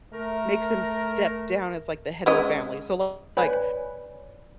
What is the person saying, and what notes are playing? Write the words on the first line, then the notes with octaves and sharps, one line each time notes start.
makes him step down as like the head of the family, so, like,
A3 A#4
G#3 C#4 D#5
B4 C#5 D5 G#5